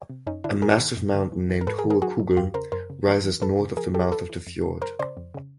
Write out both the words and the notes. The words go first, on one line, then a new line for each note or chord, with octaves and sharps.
A massive mountain named Hohe Kugel rises north of the mouth of the fjord.
C3
F#2 C#4 D#4
D3 D4 E4
G2 G#4 A#4
D#3
F#2
D3
E3
E3
A#4
G#2 A4 B4
G#4 A#4
D#3
G#4 A#4
F#3 F#4 G#4
F#3
E2 F4 G4
C#3 A#4 C5
F#2 A#4 C5
C#3
E3
E3
F2 A4 B4
C#3
F3 G#4 A#4
F3 G4 A4
E3 A4 B4
E3
F2
C#3
F#2 A#4 C5
C#3 C5 D5
F2
C#3